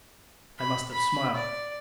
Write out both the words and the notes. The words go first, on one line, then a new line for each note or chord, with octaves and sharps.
I must have smiled.
B5
B5
D5